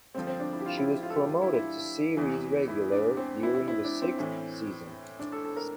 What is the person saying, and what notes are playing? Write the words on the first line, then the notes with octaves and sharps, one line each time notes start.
She was promoted to series regular during the sixth season.
G2 D3 F3 C4
C4
D4
E4
G4
F4
E4
E4
F4
A4
G4
F4
E4
E4
E2 E3
E4
D4
C4
E4
E4
E4
D4
C4
A2 E3
D4
A4
A4
A#4